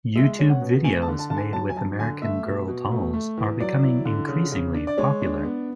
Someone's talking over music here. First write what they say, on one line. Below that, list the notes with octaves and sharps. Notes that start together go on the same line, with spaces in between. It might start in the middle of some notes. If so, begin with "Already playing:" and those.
YouTube videos made with American Girl Dolls are becoming increasingly popular.
G#3 E5
C#4
F#5
B2
A3 G#5
A5
D3
A5
D3 A5
G#5
F#3 A5
G#5
F#2 A5
D3 G#5
A3 E5
B2
B2
A3
A3
E2
F#3 D5
E4
D3
C#3
C#3
D4
D5
G#3 C#5
D4
B3